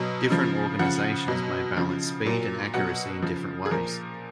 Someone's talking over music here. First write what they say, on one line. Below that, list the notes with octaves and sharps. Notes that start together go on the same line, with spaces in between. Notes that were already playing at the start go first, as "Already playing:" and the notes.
Different organizations may balance speed and accuracy in different ways.
Already playing: B2 F#3
C#3 F3
C#3 F3 F#5
B2 F#3
C#3 F3
A#2 F#3
B2 F#3 F#5
C#3 F3
G#4
A#2 F3 A#4